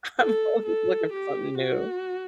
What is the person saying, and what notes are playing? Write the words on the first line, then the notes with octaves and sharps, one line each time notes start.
I'm always looking for something new.
A4
A4
G4
F#4